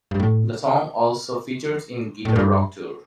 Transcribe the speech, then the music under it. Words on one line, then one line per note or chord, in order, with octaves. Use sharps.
The song also features in Guitar Rock Tour.
G2
A2
A2
G2